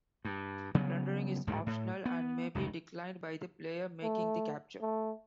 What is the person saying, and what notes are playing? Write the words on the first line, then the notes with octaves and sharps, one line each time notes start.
Plundering is optional and may be declined by the player making the capture.
G2
C#3 F#3 G3 B3
D1 D2 G#2 D3
A2
B3
F1 C#2 B2 D#3
A3
A3